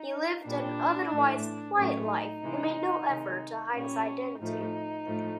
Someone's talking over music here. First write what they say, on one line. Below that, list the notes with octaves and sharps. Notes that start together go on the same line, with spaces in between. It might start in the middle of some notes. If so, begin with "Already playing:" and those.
He lived an otherwise quiet life and made no effort to hide his identity.
Already playing: D#4
A#2 G3 D4
A2 E3 A3
A2 F#3 A3 C#4
D#4
C3 E3 G#3
C3 D#3 G#3
A#2 G3 C#4
A2 F3 A3 D#4
A2 F3 A3